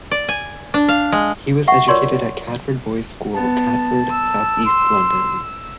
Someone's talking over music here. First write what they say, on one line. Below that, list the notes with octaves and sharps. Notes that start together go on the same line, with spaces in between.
He was educated at Catford Boys' School, Catford, South East London.
D5
G#5
D4
F5
G#3
E5 F#5 C#6
F4 A#4 C#5 D5 C6 C#6
B3 A5
E6
C6